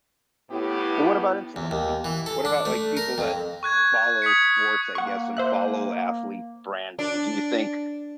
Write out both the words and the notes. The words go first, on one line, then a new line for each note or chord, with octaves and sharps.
Well, what about influencers? What about, like, people that follow sports, I guess, and follow athlete branding? Do you think
A2 B3 E4 G4
E2
D#2
E3
A4
D4
A3
A#4
F2
C#6 F#6 G#6
D#6 G#6 B6 C#7
A#3 F#5 C#6
C5 E5 F#6
D4